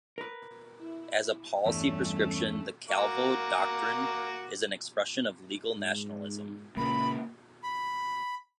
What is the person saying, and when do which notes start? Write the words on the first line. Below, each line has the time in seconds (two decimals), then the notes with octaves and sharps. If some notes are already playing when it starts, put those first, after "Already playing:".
As a policy prescription, the Calvo Doctrine is an expression of legal nationalism.
0.18 A#4 B4
0.79 E4
1.66 E2 G2 A3 C#4
2.90 A#3 F#4 D6
5.77 G#2
6.77 A#2 C#3 A#3 B5
7.63 B5